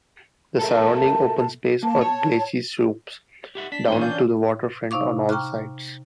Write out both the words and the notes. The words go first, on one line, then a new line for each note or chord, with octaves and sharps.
The surrounding open space or glacis slopes down to the waterfront on all sides.
A4 A#4 E5 A5
A#3 A5
C#5
G4 E5 F#5
D4 B6
G#2 D#3 E3 C#4 D4 C5 G5 D#7
D5 F5 G6
C3 D#4 F5 C#6 D6
G5 A#5 C#6 D6 F6 F#6